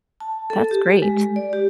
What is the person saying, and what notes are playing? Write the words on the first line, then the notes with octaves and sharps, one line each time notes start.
That's great.
A5
A4
G4
G#3
D5
G4